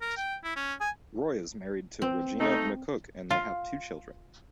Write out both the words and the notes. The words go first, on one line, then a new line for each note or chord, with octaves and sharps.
Roy is married to Rogena McCook and they have two children.
A#4
G5
E4
C#4
G#5
C4
A3 D#4
F4